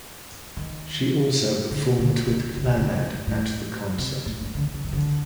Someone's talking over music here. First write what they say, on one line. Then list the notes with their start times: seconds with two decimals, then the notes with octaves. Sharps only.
She also performed with Clannad at the concert.
0.57 D#3
1.71 D3
1.99 D3
2.27 D#3
2.46 D3
2.57 D3
2.66 C3
2.78 D3
2.84 C3
3.13 G2
3.27 A2
3.98 C3
4.26 A2
4.41 G2
4.55 D3
4.74 D3
4.84 D#3
4.93 D3